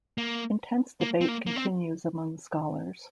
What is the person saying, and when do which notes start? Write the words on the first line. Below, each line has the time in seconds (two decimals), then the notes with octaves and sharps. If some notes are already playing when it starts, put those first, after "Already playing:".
Intense debate continues among scholars.
0.18 A#3
1.01 A#3
1.21 C4
1.28 A#3
1.47 A#3
1.56 C4